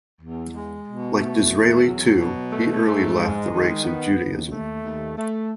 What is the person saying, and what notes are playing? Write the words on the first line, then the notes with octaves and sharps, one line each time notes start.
Like Disraeli, too, he early left the ranks of Judaism.
E2
G#3
B2
A3
E2
F#3
B2
A3
G#2
G#3
D#3
B3
D#2
A3
D#2
A3